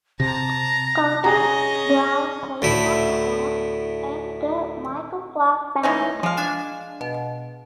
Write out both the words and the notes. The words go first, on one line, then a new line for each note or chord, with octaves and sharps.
Curtis Brown plays saxophone in the Michael Clark Band.
C3 A5 A#5 A#6
C#4 G#4 D#5 A#5
D2 A2 E4
E3 C#4 D#4
F3 G#3 F5
D4 G#5 E7
B2